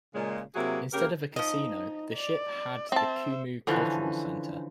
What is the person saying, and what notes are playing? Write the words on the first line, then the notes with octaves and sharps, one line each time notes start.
Instead of a casino, the ship had the Kumu Cultural Center.
A#2 C#3 G#3
C3 F#3 A#3 E4 F#4 G#4
C#3 A#3 G4 A#4
F3 D#4 D#5
D5
C4 C5 E5 A5
D3 E3 F3 C#4